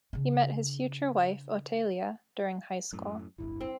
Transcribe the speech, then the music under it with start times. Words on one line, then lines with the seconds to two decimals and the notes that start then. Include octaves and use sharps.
He met his future wife, Otelia, during high school.
0.13 C#3 D4
2.93 F#2 A2
3.38 D1 G1 G2 E4
3.61 C4